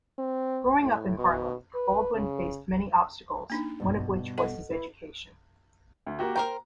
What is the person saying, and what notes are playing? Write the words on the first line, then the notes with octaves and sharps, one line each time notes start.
Growing up in Harlem, Baldwin faced many obstacles, one of which was his education.
C4
A2
B2
B4
C#3
A#3 D4 D#4
G2 B2
A4 D#5 F#5
E4 B4
D2
A#3 F#4 G4
A#4 C5 G5 A#5